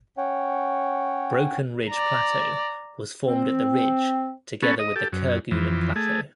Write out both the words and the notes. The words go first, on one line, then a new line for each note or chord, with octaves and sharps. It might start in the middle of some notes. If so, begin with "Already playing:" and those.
Broken Ridge Plateau was formed at the ridge together with the Kerguelen Plateau.
C#4 C#5 F#5 G5
D5 A#5
C4
B3 C#4 A4
D#5
G4 A4
F#2
F2 E3
A3 G#4